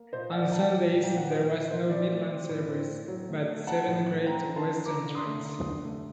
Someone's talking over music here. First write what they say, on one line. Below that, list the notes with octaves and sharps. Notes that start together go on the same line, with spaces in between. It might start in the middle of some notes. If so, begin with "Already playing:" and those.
On Sundays, there was no Midland service, but seven Great Western trains.
Already playing: A#3
A#2 C5 D#5
A#2 D5 F#5
A#2 F#5 A5
F#3 D5
A#2
G5
A#2
F#5
A#3 C5 D#5
A#2
A#2 C5
C4 D5
A3
C4
A2
C4
A2
F#3
A3
A3
C4 F#5 A5
A2
A3
C4 G5 A#5
D3
A5 C6
D3
D3 A#5 D6
D3
C6 D#6
A3
D3
D3
A3